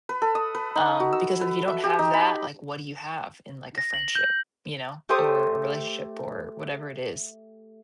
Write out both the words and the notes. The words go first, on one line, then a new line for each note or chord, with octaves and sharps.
um because if you don't have that, like, what do you have in, like, a friendship, you know, or a relationship, or whatever it is?
B4
A4
D#6
B4
D#4
F#4
E6
B4
E5
G4
D#4
B5
A#6
F#7
G6
A3 G4 C5 D#6